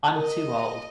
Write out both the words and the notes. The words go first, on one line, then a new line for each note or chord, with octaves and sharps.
I'm too old.
A#4 D#5